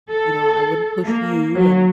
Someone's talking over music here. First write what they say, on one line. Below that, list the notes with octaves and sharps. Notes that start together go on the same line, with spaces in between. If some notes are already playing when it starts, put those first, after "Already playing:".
you know, "I wouldn't push you and
A4
A#3
F#3